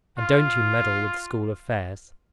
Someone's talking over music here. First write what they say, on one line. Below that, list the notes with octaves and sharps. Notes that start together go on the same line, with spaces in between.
And don't you meddle with school affairs.
F4